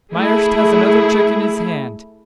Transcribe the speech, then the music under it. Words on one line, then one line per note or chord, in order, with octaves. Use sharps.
Myerst has another cheque in his hand.
A3 E4 G#4